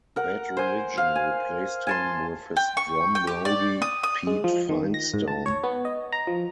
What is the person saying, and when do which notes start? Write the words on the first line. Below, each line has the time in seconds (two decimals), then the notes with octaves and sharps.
Bad Religion replaced him with his drum roadie, Pete Finestone.
0.16 A#4 F#5
0.57 C5 G#5
0.97 F5
1.15 G#5
1.87 G#5 A5 C6
2.57 G5
2.77 C#6
3.15 G5
3.27 G4
3.45 D5
3.82 D#6
4.03 D#6
4.27 G#3
4.44 F3
4.69 D#3
4.94 A#6
5.14 G#2
5.28 A5
5.46 C#5
5.64 B3
5.85 D#5
6.12 A#5
6.27 F3